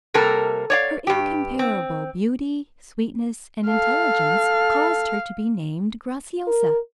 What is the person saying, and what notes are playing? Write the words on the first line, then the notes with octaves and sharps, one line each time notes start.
Her incomparable beauty, sweetness, and intelligence caused her to be named Graciosa.
C3 G3 A#3 A4 A#4
C#5 D5 F5
G2 G4
C4
A4 F5
A#4